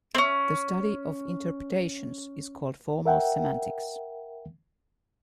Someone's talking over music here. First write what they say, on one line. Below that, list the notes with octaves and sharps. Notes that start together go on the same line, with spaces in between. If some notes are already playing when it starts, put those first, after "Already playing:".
The study of interpretations is called Formal semantics.
C4 C#4
A#4 E5 F#5 G5